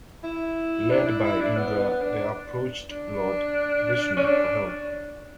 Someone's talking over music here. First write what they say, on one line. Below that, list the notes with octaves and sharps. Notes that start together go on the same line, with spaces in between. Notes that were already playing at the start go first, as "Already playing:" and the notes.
Led by Indra, they approached Lord Vishnu for help.
E4
D4
E4
E4
D4
B3
B3
D4
D4
C#4
D4